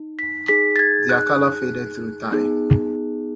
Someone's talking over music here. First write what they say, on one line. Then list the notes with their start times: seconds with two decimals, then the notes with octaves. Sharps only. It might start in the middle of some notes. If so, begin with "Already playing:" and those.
Their color faded through time.
Already playing: D#4
0.19 B6
0.48 D#4 G#4 B6
0.76 A6
0.79 G#6
1.09 F#6
2.32 B3 D#4 G#4